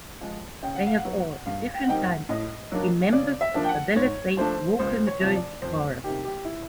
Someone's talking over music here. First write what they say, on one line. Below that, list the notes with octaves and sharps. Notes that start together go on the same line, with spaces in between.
They have all, at different times, been members of the Dallas-based Vocal Majority chorus.
F3 G#3
C#3 G5
F#5
F5
F#5
F#3 B3
G2 F5
G5
F#5
D#3 G3 C4 D#4 G5
F#5
A2 D#5
F#3 A#3 D4
C#3 D5
E5
F3 A#3 D4
G5
F#5
G#2 C#5
F3 A3 D4 C5
C#2 C5
C#5
C3 F3
D5
F2 C5
C3 D#3 G4
G4
E4